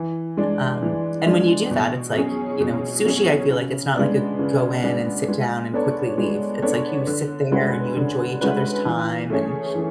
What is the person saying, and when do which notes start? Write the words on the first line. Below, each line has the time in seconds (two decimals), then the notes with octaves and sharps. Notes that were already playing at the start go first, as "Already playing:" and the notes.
um, and when you do that, it's like, you know, sushi, I feel like it's not, like, a go in and sit down and quickly leave, it's like you sit there and you enjoy each other's time and
Already playing: E3
0.37 G#3 D4
0.82 E3
1.27 G#3 D4
1.71 B2
2.16 F#3 C#4 G#4 C#5
2.60 B2
3.05 F#3 C#4 G#4 C#5
3.50 C#3
3.95 G#3 B3 D4
4.39 C#3
4.84 G#3 B3 D4
5.28 G#3
5.74 B3 D4 A4 C#5
6.18 G#3
6.62 B3 D4 A4 C#5
7.07 D3
7.52 G#3 C#4 F#4 B4
7.97 D3
8.41 G#3 C#4 F#4 B4
8.85 E3
9.30 A3 C#4 G#4 C#5
9.75 E3